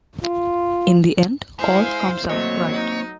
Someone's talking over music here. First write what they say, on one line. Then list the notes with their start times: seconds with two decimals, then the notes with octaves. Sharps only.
In the end, all comes out right.
0.23 F4
1.59 G#3 E4 C5 F5
2.29 F#3 A3 A#3 C4 C#5 D#5
2.73 D#4